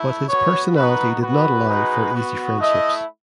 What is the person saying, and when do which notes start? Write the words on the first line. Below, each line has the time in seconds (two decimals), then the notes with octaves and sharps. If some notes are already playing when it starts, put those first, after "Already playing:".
But his personality did not allow for easy friendships.
Already playing: A3 E4
0.29 B3 F#4 C#5
0.75 B3 D#4 F#4 B4
1.21 B3 F#4 B4
1.68 G#3 D#4 F#4
2.13 B3 F#4
2.59 A3 E4 D#5